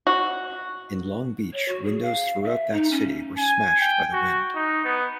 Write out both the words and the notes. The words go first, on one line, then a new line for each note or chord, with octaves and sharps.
In Long Beach windows throughout that city were smashed by the wind.
F#4
C#5
F#4
G#4
F5
E5
D#4
C#4
G#5
G5
F#4
D#4
B3